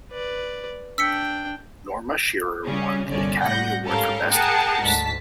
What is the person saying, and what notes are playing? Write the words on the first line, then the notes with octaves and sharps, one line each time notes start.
Norma Shearer won the Academy Award for Best Actress.
B4 D5
D4 G5 E6 B6 C#7
C#3 G3 C#4
G1 C2 D3 C#4 D5
A2 C3 G3 F#5 G6 A#6
G#2 G3 C#4 A4 A#4 F5
G#4 A#4 F#5 G5 A5
D2 G#2 A5 B6